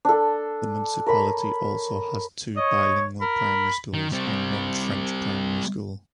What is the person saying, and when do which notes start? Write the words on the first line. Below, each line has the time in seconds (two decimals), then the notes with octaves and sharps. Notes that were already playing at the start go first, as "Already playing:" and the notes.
The municipality also has two bilingual primary schools and one French primary school.
0.05 D4 A4
1.06 A#4 C#5 B5
2.57 C#5 D#5
3.22 A#4 B5
3.94 D#3
4.12 G3 C4